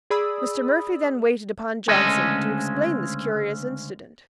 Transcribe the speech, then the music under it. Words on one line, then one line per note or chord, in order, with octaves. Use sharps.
Mr. Murphy then waited upon Johnson, to explain this curious incident.
G#4 D5 B5 D#6 E6
D2 C#3 G#3 C#4 A4 D#5